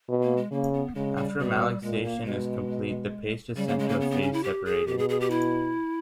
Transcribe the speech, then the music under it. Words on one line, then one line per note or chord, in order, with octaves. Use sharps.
After malaxation is complete, the paste is sent to a phase separator.
B2
A#3
G#3
C#3 A#3
B3
C#3 G#3
G3
B2 G3
A#2 G#3
A#3
B2 G#3
C#3 G3
A#3
G#3
A#3
B3
B3
C#4
E4
G4
G#4
B2 G4
G#4
G#4
G4
E4